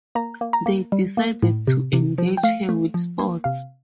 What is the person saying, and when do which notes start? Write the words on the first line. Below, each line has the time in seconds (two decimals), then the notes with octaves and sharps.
They decided to engage her with sports.
0.15 A#3 A#5
0.41 A#3
0.53 A#5
0.66 A#3
0.92 G3
1.17 A#3
1.42 A2
1.67 C3
1.93 C3
2.18 F3
2.37 G5
2.43 A3 F5
2.69 A3
2.94 F3
3.19 A#3
3.44 C3 F5